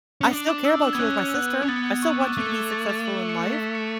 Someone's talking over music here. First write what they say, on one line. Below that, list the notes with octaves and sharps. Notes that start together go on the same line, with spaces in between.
"I still care about you as my sister. I still want you to be successful in life.
C#4
D4
D6
E6
E6
B3 G#6
C#4 F#6
E6
B3 F#6
C#4
B3 A6
G#6
C#6
D6
A3 D6
D6
A6
A6
F#7
C#7
B6
C#7